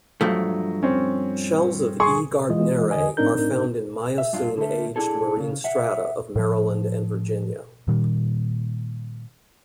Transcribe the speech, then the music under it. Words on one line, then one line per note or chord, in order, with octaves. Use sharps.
Shells of "E. gardnerae" are found in Miocene-aged marine strata of Maryland and Virginia.
G2 F3 F#3 A3
C4 C#4
G#4 C6 C#6
E3 G#3 F4 D#5
E2 D3 D#5 G#5
A2 C4 D4 D#4 A#4 G6
E5
G2 D4 F4
D3 A3
D4 E4 G#4 A4
A#2 C#3
E5 F#5
A2 F3
A#2 D#3 G3